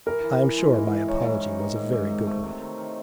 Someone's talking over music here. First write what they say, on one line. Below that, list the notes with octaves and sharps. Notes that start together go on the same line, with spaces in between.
I am sure my apology was a very good one.
E3 A#4
E3
E3
G#3
E3
E3
D#3 C#5
G#2
D#3
D#3
G#2
G#2
C3
A3
C3
D#3
D#3